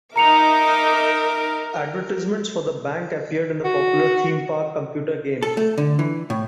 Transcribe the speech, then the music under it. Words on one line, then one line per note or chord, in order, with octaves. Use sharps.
Advertisements for the bank appeared in the popular "Theme Park" computer game.
D#4 A#4 E5 A#5 D6 C#7 F7
F#4
A4
A3
D3
E3
A2